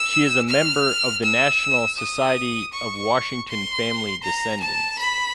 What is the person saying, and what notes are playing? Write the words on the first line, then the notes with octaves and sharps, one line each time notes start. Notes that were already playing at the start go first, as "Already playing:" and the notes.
She is a member of the National Society of Washington Family Descendants.
Already playing: E6
F6
E6
D#6
C#6
C6
A#5
A5
B5